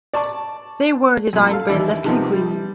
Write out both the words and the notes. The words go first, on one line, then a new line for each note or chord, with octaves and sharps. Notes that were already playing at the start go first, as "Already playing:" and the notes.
They were designed by Leslie Green.
D5 A5 C#6
F#2 A#2
A4 F5
D#2 D3 E3 D5
C3 D#3 F3 B3 C4
G3